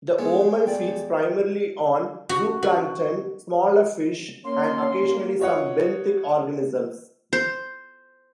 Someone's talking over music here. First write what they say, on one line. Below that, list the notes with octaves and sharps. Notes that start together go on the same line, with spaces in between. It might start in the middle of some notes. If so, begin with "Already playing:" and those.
The omul feeds primarily on zooplankton, smaller fish, and occasionally some benthic organisms.
G#3 B3 A4 C#5
E2 D5 G5
F#4
F#4
A#3 C#4 C#5 C6
F4 F#4 C#5 D#5 F#5
C5